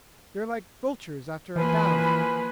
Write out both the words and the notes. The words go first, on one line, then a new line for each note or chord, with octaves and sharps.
"They're like vultures after a battle."
E3 F3 A#3 B4 G#5